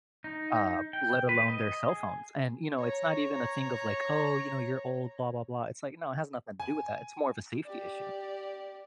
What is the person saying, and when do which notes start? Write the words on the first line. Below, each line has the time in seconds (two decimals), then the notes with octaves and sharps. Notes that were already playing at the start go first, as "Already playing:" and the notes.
uh, let alone their cell phones. And, you know, it's not even a thing of, like, "Oh," you know, "You're old, blah blah blah," it's like, no, it has nothing to do with that, it's more of a safety issue,
0.24 D#4
0.93 G5
1.29 B4
1.48 D#5
1.89 G#4
2.78 C#5 A#5
6.60 G#5
7.64 G4 D5